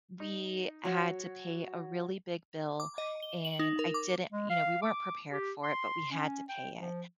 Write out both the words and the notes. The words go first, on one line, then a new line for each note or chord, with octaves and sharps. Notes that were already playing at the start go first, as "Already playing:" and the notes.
we had to pay a really big bill and I didn't you know, we weren't prepared for it, but we had to pay it.
D#4
F#3 F#4 C#5
D6
D#5
G7
F#7
D#4
A#4
D6
G#3
F5
D6
G4
C6
C#4
G5
F3